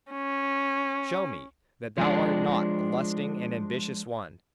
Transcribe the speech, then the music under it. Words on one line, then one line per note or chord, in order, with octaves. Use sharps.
Show me that thou art not a lusting and ambitious one!
C#4
F3 G#3 D4